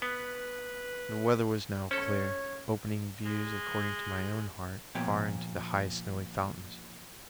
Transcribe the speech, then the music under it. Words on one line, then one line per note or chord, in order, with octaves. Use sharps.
The weather was now clear, opening views according to my own heart far into the high snowy fountains.
B3 B4
C#4 A4 C#5
G#3
A#2 F3 B3 C#5 G5